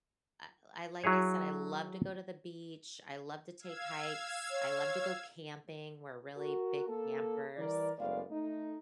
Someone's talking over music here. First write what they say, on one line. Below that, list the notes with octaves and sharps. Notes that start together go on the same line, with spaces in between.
I I like I said, I love to go to the beach, I love to take hikes, I love to go camping. We're really big campers,
F#3 E4 G#4 C#5
F5 E6 G#6
C#5
F#4 A#4
A#3 A4
E3 G3 A#4 D5
F#1 G#3 A3 B3 D5 F5
A3 D#4